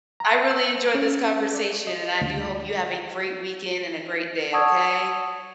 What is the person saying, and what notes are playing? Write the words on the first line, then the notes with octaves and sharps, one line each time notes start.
I really enjoyed this conversation, and I do hope you have a great weekend and a great day, okay?
A#5
E6
C#4
D5
D#5
D2
F#5 A5 C#6 D#6 E6 G#6